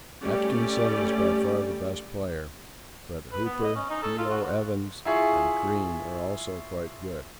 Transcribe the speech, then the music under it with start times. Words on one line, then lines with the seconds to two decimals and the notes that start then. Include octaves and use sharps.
Atkinson is by far the best player, but Hooper, P.O. Evans, and Crean are also quite good.
0.23 G3 A3 C#4 G4 D5
3.32 B4
3.45 B3
3.63 D#5
3.76 C#4
3.90 D#4
4.03 A4
4.18 F4
4.30 F#4
5.05 E4 F4 G#4 E5 C#6